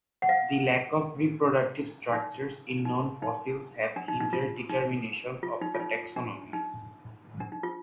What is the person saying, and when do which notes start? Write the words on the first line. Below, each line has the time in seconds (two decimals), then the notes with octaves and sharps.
The lack of reproductive structures in known fossils have hindered determination of the taxonomy.
0.22 F#5
0.29 F5
2.12 D#4
2.85 D#4
3.22 D#4
3.96 D4
4.08 D#4
4.20 D#4
4.33 F4
4.69 D#4
5.43 F4
5.61 D#4
5.75 F4
5.80 D#4
6.16 D4
6.53 D#4
7.40 D4
7.52 D#4
7.63 F4